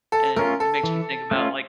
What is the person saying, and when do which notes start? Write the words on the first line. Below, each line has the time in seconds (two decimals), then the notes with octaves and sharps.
And it makes me think about, like,
0.12 A4
0.36 A3 C#4 F4 A#4
0.60 A4
0.84 E3
1.31 A3 C#4 F4